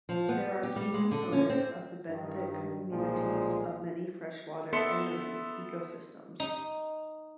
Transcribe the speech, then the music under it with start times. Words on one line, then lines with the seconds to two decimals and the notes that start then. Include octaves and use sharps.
They are key components of the benthic communities of many freshwater and marine ecosystems.
0.09 F3
0.29 B3
0.63 G4
0.76 G3
0.94 G#3
1.11 D3
1.32 C#4
1.49 C4
2.08 G2 D#3
2.90 B1 A#2 F3 G3 G#3
4.73 B3 A4 E5 C6 C#7
6.40 D#4